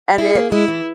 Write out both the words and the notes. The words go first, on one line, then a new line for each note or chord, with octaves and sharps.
and it's
E4 G#4
A#3
G#3 E4
E3